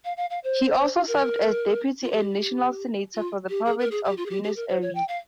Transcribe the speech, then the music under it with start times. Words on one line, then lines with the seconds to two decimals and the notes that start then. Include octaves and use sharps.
He also served as deputy and national senator for the Province of Buenos Aires.
0.05 F5
0.17 F5
0.30 F5
0.44 C5
1.08 A#4
2.03 F4
2.12 G4
3.15 F4
3.49 G4
3.65 G#4
3.79 A#4
3.91 G#4
4.05 G4
4.17 F4
4.26 G#4
4.30 G4
4.44 G4
4.56 A#4
4.69 C5
4.82 C#5
4.95 G5
5.08 F5